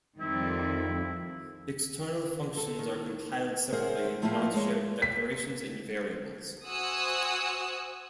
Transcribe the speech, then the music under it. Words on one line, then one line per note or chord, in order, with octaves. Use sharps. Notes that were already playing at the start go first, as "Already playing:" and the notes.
External functions are compiled separately and do not share declarations and variables.
F2 D#3 G3 C4 E4
A4
D#3
G#4 A#4 C5 C#5 E5 F#5
A2 F3 A3 A#3 E4 F4
G#3 C#5
B6
F#4 C5 G#5 D#6 E6 F#6